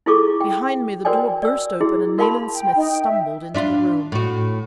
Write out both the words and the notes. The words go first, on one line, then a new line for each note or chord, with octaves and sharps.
Behind me the door burst open and Nayland Smith stumbled into the room.
E4 F4 G#4 A4 C#6 D6
G5
F#4 A#4 C5 D5 G5 G#5
D5 E6
E4 F#4 G#4
F#4 A#4 F5 A5 B5 C6
G5
D#4
G5
E5
D4 E4 F4
A2 F#4